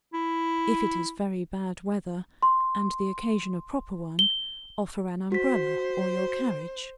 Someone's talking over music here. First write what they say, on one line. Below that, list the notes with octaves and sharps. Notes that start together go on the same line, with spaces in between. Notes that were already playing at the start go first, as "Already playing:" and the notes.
If it is very bad weather, and the occasion a proper one, offer an umbrella or your carriage.
E4
C6
G7
F#4 C5 B6